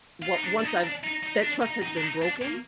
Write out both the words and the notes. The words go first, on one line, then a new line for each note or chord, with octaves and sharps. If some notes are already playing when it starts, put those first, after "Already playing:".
well, once I've that trust has been broken,
F4
D#4
D4
D4
D#4
D4
D#4
D#4
D4
D#4
D#4
D4
D#4
D4
A#3